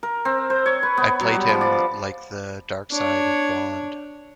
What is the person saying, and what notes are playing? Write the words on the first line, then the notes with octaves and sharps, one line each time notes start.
I played him like the dark side of Bond.
A#4
C4
C5
C#5
B4
B3
F#3
G3
F3
D5
D4 C#5